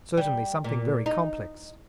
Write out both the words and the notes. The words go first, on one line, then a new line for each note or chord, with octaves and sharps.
Certainly something very complex.
G3
A#2
D#4